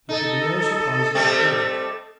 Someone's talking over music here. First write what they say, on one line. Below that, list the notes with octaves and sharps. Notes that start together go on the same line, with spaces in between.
There should be no surprising the fort.
D#4 A4 D#5
G3 A3 C4